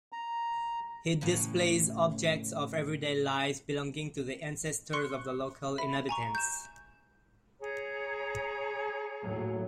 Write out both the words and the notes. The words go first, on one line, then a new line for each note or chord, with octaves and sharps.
It displays objects of everyday life belonging to the ancestors of the local inhabitants.
A#5
A2 C#3 E3
C6 C#6 F#6 C#7
E5 B5
G#5 A#5 C#6
G6 E7
G#4 C#5 A#5
D#2 A2 F#3